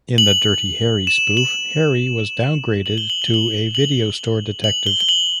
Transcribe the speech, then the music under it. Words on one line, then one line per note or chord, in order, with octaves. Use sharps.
In the "Dirty Harry" spoof, Harry was downgraded to a video store detective.
F#7
E7
F#7
F#7
G7
F#7
G7
F#7
F#7
F#7
G7
G7
F#7